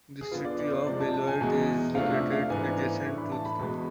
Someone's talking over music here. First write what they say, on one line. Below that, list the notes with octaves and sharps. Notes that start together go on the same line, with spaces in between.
The City of Beloit is located adjacent to the town.
G#4
D3 F3 B3 F4
D5
D5
C5
C3 F3 G#3 D5
A5
A5
G#5
E2 B2 G#3
C3 F3 A3 D4 F5
E5
F5
G#2 E3 B3 D4 G#5
A2 E3 A3 D4
B5
A5
B5
E2 B2 G#3